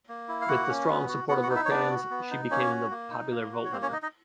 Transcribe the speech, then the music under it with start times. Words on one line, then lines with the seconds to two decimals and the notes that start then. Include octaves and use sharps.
With the strong support of her fans, she became the popular vote winner.
0.09 A#3
0.28 E4
0.41 F5
0.48 A#3 F#4 F#5
0.69 C#4
0.89 B3
1.09 F#4
1.29 B3 F#4 F#5
1.43 F#4 F#5
1.50 D#4
1.56 E4 E5
1.65 C#5
1.70 B3 D4 D5
1.90 F#4
2.11 B3
2.31 D#4
2.51 A#3 C#4 C#5
2.71 F#4
2.91 A#3
3.11 D#4
3.31 A#3
3.52 F#4
3.65 C#5
3.71 A#3 C4 C5
3.82 C#4 C#5
3.92 D#4 D#5
4.02 D#4 D#5